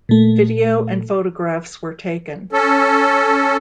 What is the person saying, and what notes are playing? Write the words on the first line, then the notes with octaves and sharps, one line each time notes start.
Video and photographs were taken.
A#2 A3
C#4 A4